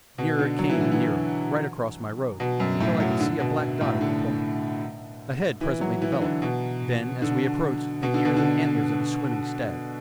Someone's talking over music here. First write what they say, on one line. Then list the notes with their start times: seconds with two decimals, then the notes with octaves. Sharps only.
Nearer it came and nearer, right across my road, until I could see a black dot at the point, a head presently developed, then as we approached the ears and antlers of a swimming stag.
0.18 B2
0.39 D3
0.59 F#3
0.69 E3
0.80 D3
0.92 E3
2.40 B2
2.60 F#2
2.80 A2
3.00 F#3
3.21 D3
3.40 B2
3.81 A2
4.01 D3
5.61 E3
5.81 F#3
6.02 E3
6.12 E3
6.21 D3
6.42 B2
7.22 D3
8.03 B2
8.14 D3
8.25 B2
8.36 D3